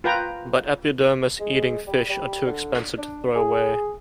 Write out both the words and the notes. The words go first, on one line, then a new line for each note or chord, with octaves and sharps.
But epidermis-eating fish are too expensive to throw away.
F4 B4 G5 A#5
G#3
G3
G3
D3
D4
G#4